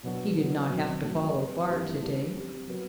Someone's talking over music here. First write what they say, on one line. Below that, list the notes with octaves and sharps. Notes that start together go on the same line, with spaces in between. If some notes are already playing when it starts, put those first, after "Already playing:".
He did not have to follow far to-day.
B2 F#3 B3 D4 F#4
D3 F#3 B3
B2 F#3 C4
G2 F#3 A3
G3 C4 G4 B4
G2 E3 G3 C4 E4
D3 A3 D4 G4 B4
G3 C4 G4
F#3 B3 F#4 B4